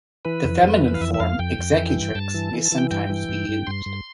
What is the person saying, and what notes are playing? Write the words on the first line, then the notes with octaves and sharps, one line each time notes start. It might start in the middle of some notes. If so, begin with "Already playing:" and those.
The feminine form, executrix, may sometimes be used.
E3 B4
F2
F2
E3
F5
F2 E5
E5
F2 F5
F2 G5
F2
E3
G2
G2 A5
E3
E3
A5
E3
G5
G2 G5
E3
G2
G2
G2 C6
G2